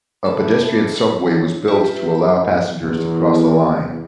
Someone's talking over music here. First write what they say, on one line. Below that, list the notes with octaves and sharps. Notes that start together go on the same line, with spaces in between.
A pedestrian subway was built to allow passengers to cross the line.
A4 E5 A5 B5 D6
D4 C#5
F4 G4 B4 E5
B5
E2